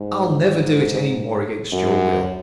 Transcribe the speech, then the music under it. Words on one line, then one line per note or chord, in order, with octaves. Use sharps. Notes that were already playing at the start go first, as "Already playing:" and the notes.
I'll never do it any more against your will.
Already playing: G#2
F#2